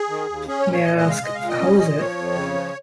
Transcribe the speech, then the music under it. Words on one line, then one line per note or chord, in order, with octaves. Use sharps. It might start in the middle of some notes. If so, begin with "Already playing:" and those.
May I ask — How is it?
Already playing: G#4
D#3
D#2
C#4 G#4
C#5
A#2
C#5
A#2 D#5
D#5
G#3
F5
G#3 D#5
F5
A#2
D#5
C#4
A#2
F3 C#5
F2
C#3
F3